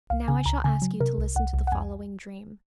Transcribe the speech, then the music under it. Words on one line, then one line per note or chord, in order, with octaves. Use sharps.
And now I shall ask you to listen to the following dream.
C2 F5
C#3 G#5
C#2 A#5
C#3 G#5
F#3
C3 A#4
C2
C2 F#5
C2
F#5
F2 G#5